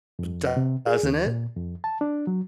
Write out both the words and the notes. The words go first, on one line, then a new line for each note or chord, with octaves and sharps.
Doesn't it?
F2
C3
G#4
D#2
A#2
F2
A5
D4
F#3